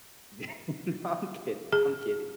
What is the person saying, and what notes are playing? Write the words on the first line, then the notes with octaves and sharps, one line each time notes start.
yeah, no, I'm kidding, I'm kidding.
G#4